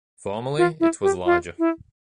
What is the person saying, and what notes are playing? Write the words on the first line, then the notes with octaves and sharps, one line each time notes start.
Formerly, it was larger.
F4
E4
G4
F4
E4